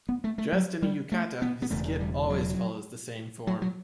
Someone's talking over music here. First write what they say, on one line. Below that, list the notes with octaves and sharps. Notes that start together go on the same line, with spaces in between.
Dressed in a yukata, his skit always follows the same form.
B3
A3
A3
F#3
G3
A3
B3
B3
E1 E2 C#3 A3
G3
F#3
F#3
F#3